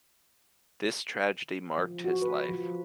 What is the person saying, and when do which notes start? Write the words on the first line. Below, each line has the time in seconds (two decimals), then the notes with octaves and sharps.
This tragedy marked his life.
1.78 F3
2.04 F#4
2.22 B4
2.49 F3